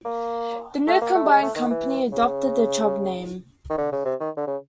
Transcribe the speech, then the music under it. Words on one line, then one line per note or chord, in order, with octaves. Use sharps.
The new combined company adopted the Chubb name.
A#3
A3
A#3
A3
G3
G#3
A3
D#3
E3
C#3
D#3
D3
C#3
C3
D#3
D3
C#3